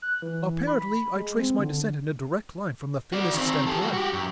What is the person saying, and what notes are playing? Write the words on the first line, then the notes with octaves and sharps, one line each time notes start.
Apparently I trace my descent in a direct line from the famous Stentor.
F#6
E3
B5
G#3
C4
D3
F#4 D5
D#3 C4
G4 A4
G3 F#4
F#4 G4
F#2